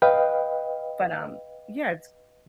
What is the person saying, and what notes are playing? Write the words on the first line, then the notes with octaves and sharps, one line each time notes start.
but, um Yeah, it's
B4 D#5 F5 G5